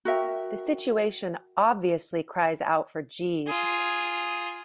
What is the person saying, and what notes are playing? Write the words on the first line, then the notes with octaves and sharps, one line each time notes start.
The situation obviously cries out for Jeeves.
F#4 A#4 E5 G5
F4 G#4